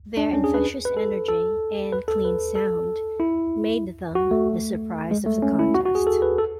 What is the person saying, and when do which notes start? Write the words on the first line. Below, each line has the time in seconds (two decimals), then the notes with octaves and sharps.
Their infectious energy and clean sound made them the surprise of the contest.
0.17 D4
0.33 C#4
0.44 G#4
0.54 B4
0.85 B4
0.97 A4
1.28 A4
1.93 B4
2.08 A4
2.25 B4
2.55 A4
3.20 E4
4.15 F#4
4.31 A3
5.11 G#3
5.26 A3
5.42 C#4
5.59 E4
5.75 F#4
5.85 F#4
5.95 G#4
6.07 A4
6.22 B4
6.38 A4